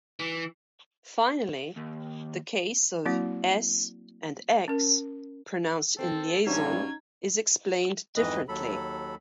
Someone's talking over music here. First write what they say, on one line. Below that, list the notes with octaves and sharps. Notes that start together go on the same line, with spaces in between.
Finally, the case of "-s" and "-x" pronounced in liaison is explained differently.
E3
D#2
F#3 A#3 C4 E4 F#4
C#4 A#4
C4 A4
A#1 G2 F#3 C#4 D#4 G#6
F2 G#2 E3 B4 D#5
D#2 F#3 A4 B5